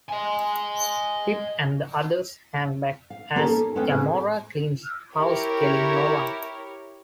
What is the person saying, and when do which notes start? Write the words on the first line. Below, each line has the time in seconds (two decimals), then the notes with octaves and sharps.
Pip and the others hang back as Gamora cleans house, killing no one.
0.09 D#5 G#5
3.10 F5
3.36 A#3 C#4 D#4 G4 A4 A#4
3.49 A4
3.75 F2 G#3 A3 B3 C#4 G5
3.87 A2 C4 G#4
5.14 E4 G4 A#4 C#5